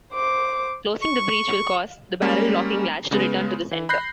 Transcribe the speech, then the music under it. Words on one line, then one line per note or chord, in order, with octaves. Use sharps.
Closing the breech will cause the barrel locking latch to return to center.
C5 D6
C#6
G3 G#3 A#3 C#4
C#3 G#3 B3
E3
B5 F#6 G6 A#6 C7